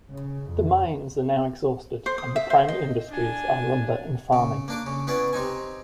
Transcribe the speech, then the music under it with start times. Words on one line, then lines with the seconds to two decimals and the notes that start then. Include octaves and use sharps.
The mines are now exhausted and the primary industries are lumber and farming.
0.12 C#3
0.53 F2
2.06 C5
2.18 D#6
2.36 E5
2.50 C5
2.68 D#5
3.09 D4 G#5
4.33 C#3
4.68 A#3 D4 D6
4.86 C#3
5.07 B3 C#4 E4 G#4 D5
5.33 C3 C4 D#4 G#5